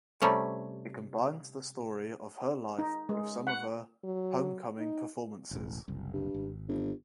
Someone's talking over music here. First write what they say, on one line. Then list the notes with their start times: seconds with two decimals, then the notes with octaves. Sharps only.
It combines the story of her life with some of her Homecoming performances.
0.22 C3 G3 A3 C#4
2.79 D#4
3.09 G#3
3.47 F#5
4.04 F#3
4.79 D#4
5.51 E1 A1
5.88 F#1 C2
6.13 G2
6.34 G#1
6.68 G1